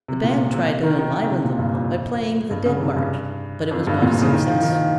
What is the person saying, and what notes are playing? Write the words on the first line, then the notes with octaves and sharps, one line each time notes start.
The band tried to enliven them by playing the "Dead March," but it was not a success.
C3
A#2
C3
D#3
D#3
D#3
C#3
C3
A#2
G2
F2
G2
C#3
C3
G2
F2
G2
A#2
C3
C#3
D#3
F3
D#3
F3